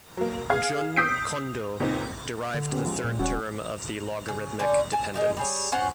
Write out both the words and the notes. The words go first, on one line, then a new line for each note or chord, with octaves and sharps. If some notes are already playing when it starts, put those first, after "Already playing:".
Jun Kondo derived the third term of the logarithmic dependence.
F#3 A#3
G#4 F5 G#6
D#6 E6 G6 B6 C7 D7
C#2 A#2 C4 D#4
D3
B3 C#4 G4
F3 G#3
A#2
D#1 G3 C#4 F#4
C#3
D3 G3 C#4
G#5 A5
G#3 D#4 F4
G3 G#4 C#5
C#4 F4 C5 F#5